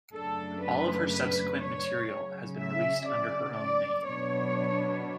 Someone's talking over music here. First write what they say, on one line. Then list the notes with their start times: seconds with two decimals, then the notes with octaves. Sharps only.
All of her subsequent material has been released under her own name.
0.12 F#2 C#3 F#3 A3 D4 A4
0.61 B4
1.10 B4
1.59 C#5
2.08 C#3 F#3 C#4
2.57 E5
3.05 D5
3.55 D5
4.04 B2 F#3 B3 D4 C#5